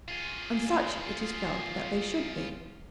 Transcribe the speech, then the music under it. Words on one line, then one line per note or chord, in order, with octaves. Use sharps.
And such it is felt that they should be.
F4 G#4